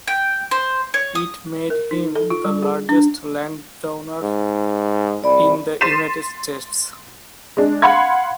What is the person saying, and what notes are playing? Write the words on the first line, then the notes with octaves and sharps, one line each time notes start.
It made him the largest landowner in the United States.
G5
C5
C#5
D#6
A#4
D#4
A4
F4
G3
G#4
D4
G#2
C2 D5 B5
C6 A6 B6 C7 D#7 E7
G#3 D4
F5 F#5 B5 C6 G#6